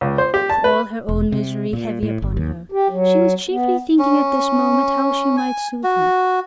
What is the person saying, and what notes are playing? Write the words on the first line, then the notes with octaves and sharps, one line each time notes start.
With all her own misery heavy upon her, she was chiefly thinking at this moment how she might soothe him.
C#2
C5
G4
A5
B4
E1
C3
A#2
A2
G1
D#2
G4
F#3
B3
C#4
G#5
F#4